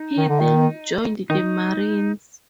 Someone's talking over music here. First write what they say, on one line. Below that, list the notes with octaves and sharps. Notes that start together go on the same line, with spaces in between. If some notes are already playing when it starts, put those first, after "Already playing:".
He then joined the Marines.
Already playing: D#4
D#3
D3
D#3
D#3 D#4